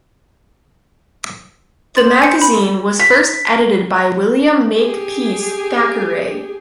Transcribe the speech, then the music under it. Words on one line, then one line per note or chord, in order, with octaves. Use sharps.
The magazine was first edited by William Makepeace Thackeray.
C5 A6 F#7
G#5 C#7
B5
B6
G4 G#4